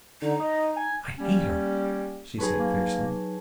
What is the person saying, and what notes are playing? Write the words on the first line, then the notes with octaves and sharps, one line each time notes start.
"I hate her," she said fiercely.
D3 D#4
D#5
G#5
G3 A#3 C#4
F#3 D#4 G#4 B4 C#5 A5
A#3